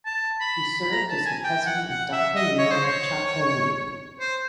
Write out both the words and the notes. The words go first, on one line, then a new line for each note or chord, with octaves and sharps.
He served as the president of Dhaka unit of Chatra league.
A5
B5
B5
A#5
A5
G#5
G5
F#5
F#5
E5
D#5
C#5
C5
C#5
C5